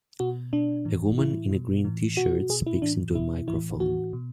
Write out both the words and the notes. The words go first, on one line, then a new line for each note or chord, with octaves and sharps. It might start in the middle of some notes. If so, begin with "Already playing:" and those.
A woman in a green tshirt speaks into a microphone.
B2 F#4
B2 D4
A2 E3
A2 E3 E4
B2
A2 E3
B2 F#4
B2 G#4
E4
A2 E3 D4
B2 E4
A2 E3 E4
A2 E3 F#4
B2